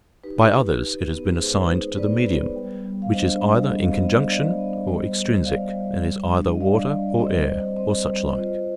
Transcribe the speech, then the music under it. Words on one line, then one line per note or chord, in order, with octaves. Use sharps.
By others it has been assigned to the medium, which is either in conjunction or extrinsic and is either water or air, or such like.
D#4 G4 B4
D#4
D#4
B3
B4
G#3 G#4 C5
D#4
B3 B4 D5
B3
G3
G3
F5
D4 C5 D#5
G3
B3 D#5
F5
C5 D#5
B3
D#5
B3 D5 F5
B3
G3 C5 D#5
G3
G3 D5 F5
G3
G3
D4
D#5
G3 D5 F5
G3
D5
C4 C5 D#5
C4
C4 C5 D#5
G3
F4 C5 D#5